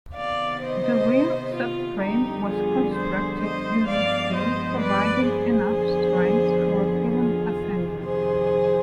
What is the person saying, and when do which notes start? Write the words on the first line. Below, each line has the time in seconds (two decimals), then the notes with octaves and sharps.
The rear subframe was constructed using steel, providing enough strength for a pillion passenger.
0.15 C3 D#3 B3 D5 F5
0.61 C5 D#5
1.55 F4
2.01 F2 D3 G3 B3 D#4 G4
2.47 F4 G#4
2.93 G#4 C5
3.40 C5 D#5
3.87 G2 F3 G#3 B3 D5 F5
4.33 C5 D#5
4.80 B4 D5
5.26 G#4 C5
5.73 F2 D3 F3 B3
7.12 F4 G#4
7.58 F2 C3 D#3
8.05 G#4 C5